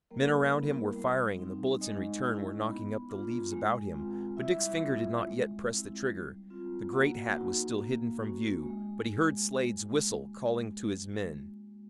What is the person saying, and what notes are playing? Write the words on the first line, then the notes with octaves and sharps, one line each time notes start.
Men around him were firing, and the bullets in return were knocking up the leaves about him, but Dick's finger did not yet press the trigger. The great hat was still hidden from view, but he heard Slade's whistle calling to his men.
G3 A#3 A#4
B3 E4
G3
C4 D#4
G#3 D#4 D#5
C#4 E4
B3
D4 F4
G#3
C4 F4
G3 E4 E5
C4 F4
G#3
C4 E4
G3
C4 F4
A#3 F#4 F#5
D#4 F#4
A#3
C#4 F#4
G#3